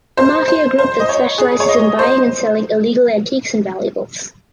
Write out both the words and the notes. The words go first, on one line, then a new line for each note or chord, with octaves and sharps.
A mafia group that specializes in buying and selling illegal antiques and valuables.
C5
C5
C5
D#5
C#5
G#4
C#5
D#5
C5